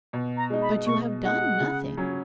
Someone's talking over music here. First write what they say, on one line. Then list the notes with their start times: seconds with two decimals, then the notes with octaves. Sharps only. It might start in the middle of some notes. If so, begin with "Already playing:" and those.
'But you have done nothing.'
0.13 B2
0.37 A#5
0.50 G#3 D#4
0.62 B5
0.86 B2 C#6
1.23 G#3 D#4 F#5
1.60 C#3
1.97 F#3 C#4